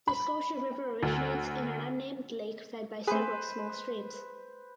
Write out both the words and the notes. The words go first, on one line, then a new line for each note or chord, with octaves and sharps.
The Scotia River originates in an unnamed lake fed by several small streams.
B5
D2
A3 G#4 B4 C5